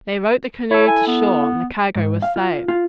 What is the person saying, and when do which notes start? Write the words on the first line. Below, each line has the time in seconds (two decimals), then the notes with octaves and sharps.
They rowed the canoe to shore and the cargo was saved.
0.71 E4 A4 C#5
0.88 G#5
1.08 B3
1.96 G#2
2.22 F5
2.36 F4
2.68 F4